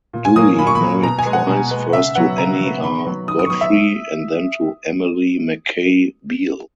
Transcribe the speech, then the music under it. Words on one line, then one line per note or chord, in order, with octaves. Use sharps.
Dewey married twice, first to Annie R. Godfrey, and then to Emily McKay Beal.
A#2
G#5
F#3 A#3 D#6
A#2 B5
C#6
B5
F#3 A#3
B2 A#5
G#5
G#3 B3
F#5
B2
G#3 B3
C#3 E5
F#3 B3 F#5
C#3 A#5
F#3 B3
D#3 B5
F#3 B3
D#3 D#6
D#6
C#6
F#3 B3 D#6
E5